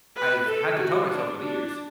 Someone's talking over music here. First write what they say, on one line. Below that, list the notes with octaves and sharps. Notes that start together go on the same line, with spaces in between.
I've had to tell myself over the years,
B4
A4
F#4
D4
D4